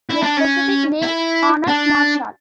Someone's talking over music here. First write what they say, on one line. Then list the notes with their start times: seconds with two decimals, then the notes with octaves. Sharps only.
The specific name honours Marshall.
0.10 E4
0.23 D4
0.37 C#4
1.03 E4
1.68 D4